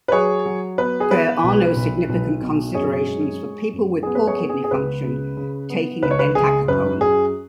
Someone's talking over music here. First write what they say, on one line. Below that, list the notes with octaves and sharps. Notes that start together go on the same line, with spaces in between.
There are no significant considerations for people with poor kidney function taking entacapone.
B4
F#3 G#4 C#5
F#3
B3 B4
G#4
B3 B4
B1
B1
B1
B2
F#2 G#4 C#5
G#3
G#3
F#2
B3 G#4
B4
G#4 C#5
B3
G#4
G#4
C#2 B4
C#3
C#3
B3
C#2 B4
C#5
B4
C#2 G#4
F#2 B4
F#2 G#4